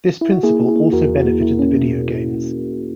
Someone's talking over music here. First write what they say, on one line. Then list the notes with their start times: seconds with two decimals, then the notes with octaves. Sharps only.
This principle also benefited the video games.
0.21 E4
0.32 F#4
0.43 A#3 E4 G#4
0.60 A#3
0.68 E4 G#4
0.76 A#3
0.92 E2 F#4 A#4
1.09 E2
1.18 F#4
1.25 A#3
1.41 A#3 E4
1.59 C#4
1.75 B2